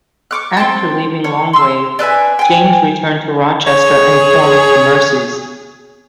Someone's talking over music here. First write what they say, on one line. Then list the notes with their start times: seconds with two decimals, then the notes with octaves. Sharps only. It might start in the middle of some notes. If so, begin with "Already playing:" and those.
After leaving Longwave, James returned to Rochester and formed the Mercies.
0.31 C#6 D6 F#6
0.57 C4 G5 A5
1.24 C#5
1.53 C6 E6
1.99 D4 B4 E5 G#5
2.39 G5 G#5
3.66 G#4 C#5